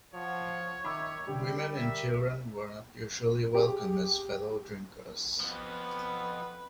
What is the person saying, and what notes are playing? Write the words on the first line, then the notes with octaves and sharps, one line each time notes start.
Women and children were not usually welcome as fellow drinkers.
F3 C#5 F#5
D#3 E5 B5 D6 E6
D3 G3 G4 G5
A#4 E5
G4 G#4
F2 F3 B3 B4